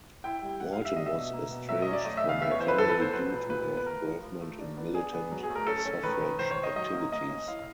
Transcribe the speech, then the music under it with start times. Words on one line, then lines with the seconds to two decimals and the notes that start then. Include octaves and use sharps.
Walton was estranged from her family due to her involvement in militant suffrage activities.
0.24 E4 G5
0.42 G3
0.60 G3 F#5
0.73 F5
0.79 G3
0.85 E5
0.96 D4 D#5
1.06 E5
1.16 B2
1.33 A#3
1.51 B2
1.69 F#3 E5
1.82 D#5
1.88 C#4
1.93 D5
2.05 A3 D#5
2.17 E5
2.24 C#3
2.29 F5
2.41 B3 E5
2.51 C#5
2.59 E3 C5
2.68 B4
2.78 E3 A4
2.89 B4
2.96 B3
3.01 C5
3.13 F#3 B4
3.32 A#2
3.50 A#2 B4
3.68 B3
3.77 B4
3.86 A3 A#4
4.05 F3
4.23 F3
4.41 A3
4.59 D4
4.77 B3
4.94 D4 G#4
5.13 B3
5.31 F#3
5.43 G#4
5.50 A3
5.55 A#4
5.67 C#4 A4
5.86 C#4
6.03 D#3 B4
6.21 D#3
6.39 D#3 C5
6.51 C#5
6.58 D#3
6.63 D#5
6.76 F#3 D#5
6.93 A#3
7.12 A#3 D#5
7.29 C#4
7.48 E4 F5